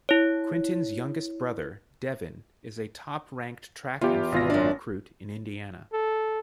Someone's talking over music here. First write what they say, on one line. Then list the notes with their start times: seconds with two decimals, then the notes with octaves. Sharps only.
Quintin's youngest brother, Devyn, is a top ranked track and field recruit in Indiana.
0.09 E4 C#5
4.01 E2 F4 G4
4.32 G#1 F4 A#6
4.50 F#2 D4
5.93 A4